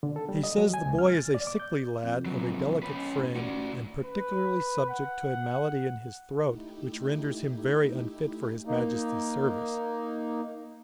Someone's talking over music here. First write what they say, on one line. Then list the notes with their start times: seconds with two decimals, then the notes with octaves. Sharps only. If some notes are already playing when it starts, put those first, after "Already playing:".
He says the boy is a sickly lad, of a delicate frame, and particularly subject to a malady in his throat, which renders him very unfit for his Majesty's service.
0.03 D3
0.16 A4
0.29 G3
0.44 D#5
0.58 F#3
0.74 G#5
0.86 C#2
0.99 F6
1.14 A6
1.35 D5
1.47 D6
1.60 G6
2.03 F2
2.26 C3 F#3
2.83 C#4 B4
3.17 A2
3.36 A1 F#4 D5
4.05 B4
4.89 F#5
6.46 A3 D#4 E4 G4
8.65 A#3 D#4